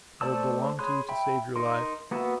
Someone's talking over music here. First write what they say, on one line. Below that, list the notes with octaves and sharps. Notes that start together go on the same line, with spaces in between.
I will belong to you to save your life.
A3 C5 D5 A5 E6
G#4 C#5 B5 C6 F#6
E5 G5 B5
D#4 A#4 C6
A#3 B3 F#4 B4 E5